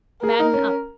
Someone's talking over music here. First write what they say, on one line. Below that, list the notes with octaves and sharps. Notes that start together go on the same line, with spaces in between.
Madden up.
G#4 A#4
D#4
C#4